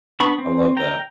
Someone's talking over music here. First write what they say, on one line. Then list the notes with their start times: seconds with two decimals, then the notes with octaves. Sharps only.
I love that.
0.20 B3 D4 B5 C#6
0.38 C4
0.77 G5 A#5